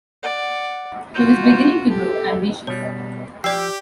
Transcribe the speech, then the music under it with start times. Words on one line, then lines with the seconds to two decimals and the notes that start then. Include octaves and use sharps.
He was beginning to grow ambitious.
0.23 D5 F#5
1.14 F4 F#4 G6
1.89 G4 A4
2.67 B2 G3 C#5
3.44 F3 G4 D5 G5 E6 C7